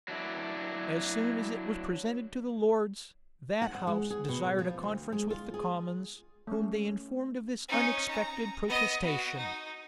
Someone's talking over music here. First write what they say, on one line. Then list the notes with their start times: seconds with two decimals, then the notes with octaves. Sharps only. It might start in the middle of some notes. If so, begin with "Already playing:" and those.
As soon as it was presented to the lords, that house desired a conference with the commons, whom they informed of this unexpected protestation.
0.08 F#3 D4 E4
3.62 F#5
3.75 F#5
3.87 G#3
4.10 G#4
4.29 B2
4.59 F3
4.83 D2
5.12 G#3
5.30 F4
5.54 G#4
6.47 A3 C#4
7.68 C#4 D#4
8.10 A#5
8.68 B3 D#5
9.04 F#4
9.37 D#4